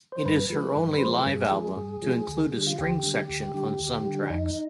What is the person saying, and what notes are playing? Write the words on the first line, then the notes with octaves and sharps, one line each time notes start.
It is her only live album to include a string section on some tracks.
C5
G2 B4
F3 G#3
G2
F3 G#3 C5
B4
G2 G#4
F3 G#3
G2
F3 G#3
D2
D3 G3
F4
D2 G4
D3 G3
D2
D3 G3
D2
D3 G3
D4
F2 D#4